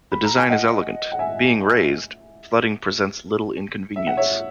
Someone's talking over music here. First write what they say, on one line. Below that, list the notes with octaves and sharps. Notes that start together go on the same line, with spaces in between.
The design is elegant: being raised, flooding presents little inconvenience.
B5
A#5
G#5
D#5 F#5
F#5
E5 G#5
E5
F#5
C#5 E5